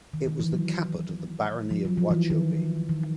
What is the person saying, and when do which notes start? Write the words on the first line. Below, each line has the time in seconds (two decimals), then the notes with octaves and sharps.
It was the caput of the Barony of Wauchope.
0.14 D#3
0.27 D#3
0.40 E3
0.53 F#3
1.71 F3
1.85 F#3
1.97 F3
2.11 E3
2.30 D#3
2.89 D#3